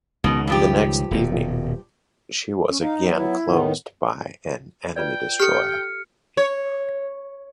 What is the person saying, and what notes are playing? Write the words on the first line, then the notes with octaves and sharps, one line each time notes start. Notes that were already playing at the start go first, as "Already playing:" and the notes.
The next evening, she was again closed by an enemy destroyer.
C#2 B2 D#3
G2 F3 G4
D#1 B2
C#4
D#4 F5
F#3 B3
E4
A2 D#3 B3
F4 B4 D5 G5
G4 A4 F6 C#7
C#5